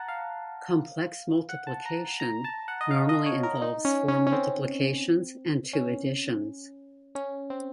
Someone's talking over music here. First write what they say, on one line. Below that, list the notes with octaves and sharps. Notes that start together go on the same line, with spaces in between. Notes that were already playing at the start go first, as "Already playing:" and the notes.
Complex multiplication normally involves four multiplications and two additions.
Already playing: F#5 A5 A#5
F5
F#5
A5
A#5
A#5
A5
F#5
D#5
F5
D#5
C#5
A#4
D#4
C#4
C#4
C#4
C4
C#4
C#4
C4